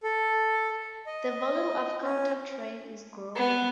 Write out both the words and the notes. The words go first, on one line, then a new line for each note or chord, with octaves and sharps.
The volume of countertrade is growing.
A4
D#5
C#4
B3